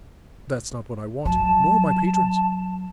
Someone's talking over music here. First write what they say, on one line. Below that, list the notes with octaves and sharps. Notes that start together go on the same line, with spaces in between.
That's not what I want, nor my patrons.
F#3 A5